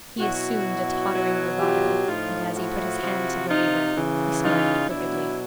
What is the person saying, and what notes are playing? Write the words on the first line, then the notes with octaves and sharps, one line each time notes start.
He assumed a tottering bravado, and as he put his hand to the lever, he smiled crookedly.
B2 F#3 E4 F#4
B2 F#3
F4 G4
A2 F3 D#4 F4
E4 F#4
C3 F3
D#4 F4
C#3 E3
D#4 F4
B2 F#3 D4 E4